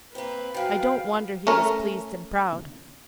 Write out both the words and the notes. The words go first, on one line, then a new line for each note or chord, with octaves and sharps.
I don't wonder he was pleased and proud.
A#3 C4 B4
F#2 F3 F5 G5
A3 C#4 A#4